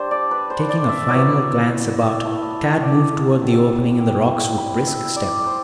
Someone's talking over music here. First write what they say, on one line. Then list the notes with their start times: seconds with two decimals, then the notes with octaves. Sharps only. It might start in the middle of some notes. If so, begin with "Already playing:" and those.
Taking a final glance about, Tad moved toward the opening in the rocks with brisk step.
Already playing: G3 D4 C5
0.11 D5
0.31 B4
0.50 C5
0.69 D5
0.89 E5
1.08 F#3 B3 E4 D5
2.25 A3 E4 B4
2.83 D5
3.42 F#3 C4 E4 E5
4.01 G5
4.58 G3 C4 E4 B5
4.87 E5
5.16 D5
5.47 C5